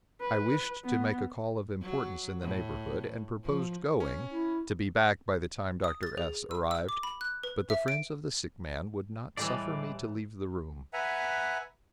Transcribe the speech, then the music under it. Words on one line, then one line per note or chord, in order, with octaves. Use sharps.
I wished to make a call of importance in the neighbourhood, and proposed going, to be back by the time Dr. S-- arrived; but the friends of the sick man would not suffer me to leave the room.
B4
B3
F#3
A2
F3
C#4
E4
D#6
A6
G#4
E6
E6
D6
B5
F#6
B4
E5
D7
A2 E3 G3 G#3 D5
B4 E5 F#5 G#5 A#5